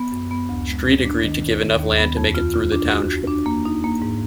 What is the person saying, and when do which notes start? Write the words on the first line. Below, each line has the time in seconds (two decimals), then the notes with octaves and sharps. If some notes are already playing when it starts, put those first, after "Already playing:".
Street agreed to give enough land to make it through the township.
Already playing: B3
0.12 F#2
0.31 B3
0.49 D2
0.68 G#3
0.87 D2
1.05 D4
1.24 D#3
1.42 D#2
1.61 D#3
1.79 D#2
1.98 B3
2.17 F2
2.35 F4
2.54 F4
2.72 D4
2.90 F#4
3.09 F#4
3.27 D4
3.46 A#3
3.65 D#4
3.84 A#3
4.02 G#2